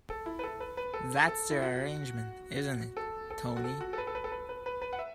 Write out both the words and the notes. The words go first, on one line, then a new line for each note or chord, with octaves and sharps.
That's the arrangement, isn't it, Tony?
A4
E4
B4
A4
B4
B4
A4
A4
E4
F#4
A4
A4
F#4
A4
F#4
A4
B4
A4
B4
A4
B4
B4
B4
B4
F#5
E5